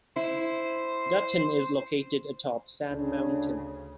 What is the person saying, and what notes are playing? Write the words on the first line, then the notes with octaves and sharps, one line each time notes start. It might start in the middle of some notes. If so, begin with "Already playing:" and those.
Dutton is located atop Sand Mountain.
E4 C5
D2 C#3 D4